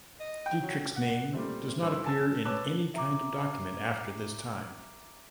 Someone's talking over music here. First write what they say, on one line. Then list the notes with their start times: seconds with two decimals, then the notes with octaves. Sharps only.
Dietrich's name does not appear in any kind of document after this time.
0.20 D#5
0.46 G5
0.62 F#3
0.96 F#5
1.33 A#2 G3 A3 C4
1.82 G2 C5 E6
2.05 G#5 A5 E6 A6
2.45 B4 C#5 A5 D6 E6 F#6
2.94 E5 A#5 D6